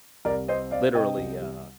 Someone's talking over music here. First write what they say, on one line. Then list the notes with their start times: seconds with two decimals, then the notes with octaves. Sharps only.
um, literally, uh
0.25 C2 A#4 D5
0.48 C4 C5 D#5
0.71 C4 D5 F5
0.95 C3 D#5 G5
1.18 C2
1.42 G3